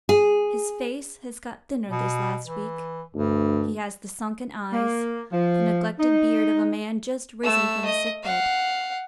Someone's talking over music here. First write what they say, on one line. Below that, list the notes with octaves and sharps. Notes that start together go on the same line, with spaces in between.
His face has got thinner this last week: he has the sunken eyes, the neglected beard of a man just risen from a sick-bed.
G#4
B2
E3
D2 G2
A#3
F3
D#4
A3 E6
D#5
F5 F#5